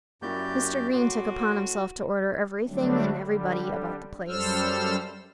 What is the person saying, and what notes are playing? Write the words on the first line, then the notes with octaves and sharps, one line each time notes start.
Mr. Green took upon himself to order everything and everybody about the place.
F#2 A#3 E4 F#4 G4 D5 G6
A2 F#4 C6 D6
D3 F#3 G3 A3 C4 D4
D3 G3
F#2 G3 A4 C5 E6 F6